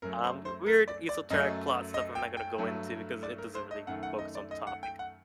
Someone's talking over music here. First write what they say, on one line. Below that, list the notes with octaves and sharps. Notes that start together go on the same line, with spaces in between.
um, weird esoteric plot stuff I'm not gonna go into because it doesn't really focus on the topic.
F#2 F#3 A3 A#4
C5
C5
A#4
D5
D5
F#2 F#3 A3 D#5
D#5
G5
G5
G2 F#3 A3
D5
A#4
C5
D#5
F#2 D#3 A3 F#5
F#5
D#5
D5
D#5
F#5
G5
F#5